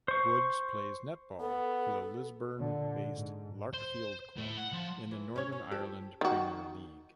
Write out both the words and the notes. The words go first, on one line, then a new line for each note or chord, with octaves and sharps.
Woods plays netball for the Lisburn–based Larkfield club in the Northern Ireland Premier League.
C5 C#6
B3 A4
A#2 D3
G#2
C5
A2
F#5
F3
E3
C#4 C#5
C#4
F3 G4 A4
D#3 F#4